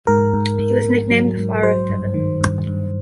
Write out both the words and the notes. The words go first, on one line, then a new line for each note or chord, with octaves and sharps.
He was nicknamed "the flower of Devon".
G#2 A#4
G#2
G#2
G#2
F#3
G#2
F#3 C5
G2
D#3
G2
G2